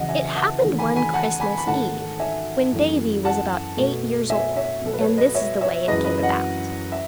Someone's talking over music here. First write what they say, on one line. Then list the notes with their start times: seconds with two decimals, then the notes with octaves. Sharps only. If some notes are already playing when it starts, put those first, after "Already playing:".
It happened one Christmas eve, when Davy was about eight years old, and this is the way it came about.
Already playing: E2 C#3 F#3 D#5 F#5
0.09 E5 G#5
0.35 F#5 A5
0.61 E2 D#3 A3
0.79 G#5 B5
0.96 G#5 B5
1.14 F#5 A5
1.40 G#5 B5
1.58 B5
1.66 G#2 D#3 A3 F#5 A5
2.19 E5 G#5
2.73 F#2 E3 A3
3.25 F#5 A5
3.77 B2 A3
4.30 E5 G#5
4.56 C#5 E5
4.82 B2 F#3 A3 A4
4.93 B4
5.00 A4 C#5
5.18 B4 D#5
5.34 C#5 E5
5.61 C#5 E5
5.87 F#2 E3 G#3 B4 D#5
6.04 B4 D#5
6.22 D#5 F#5
6.92 E5